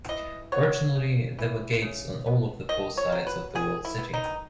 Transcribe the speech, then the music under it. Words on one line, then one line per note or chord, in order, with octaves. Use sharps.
Originally, there were gates on all of the four sides of the walled city.
E3 D#5
B3 C#5
C#3
E3
C#3
B3
D#3 D#5
C#5
F#3
B4
D#3 G#4
E4
B3
D#4